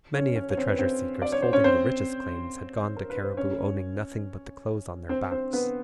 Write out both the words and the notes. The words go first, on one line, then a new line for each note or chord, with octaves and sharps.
Many of the treasure-seekers holding the richest claims had gone to Cariboo owning nothing but the clothes on their backs.
C#4 C#5
C#4 C#5
C#5
C4 C5
B4
C4 C5
D5
C#5
C5
C#4 C#5
C4 C5
A#4
B4
C5
C#4 C#5
C4 C5
C4 C5
B3 B4